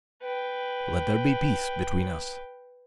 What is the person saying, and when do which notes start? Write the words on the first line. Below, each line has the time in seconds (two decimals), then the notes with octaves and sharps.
Let there be peace between us.'
0.23 B4 G5